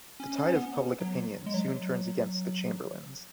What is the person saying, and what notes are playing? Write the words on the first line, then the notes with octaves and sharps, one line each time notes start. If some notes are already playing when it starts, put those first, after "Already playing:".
The tide of public opinion soon turns against the Chamberlains.
C#4
C#4
B3
F#3
G#3
F#3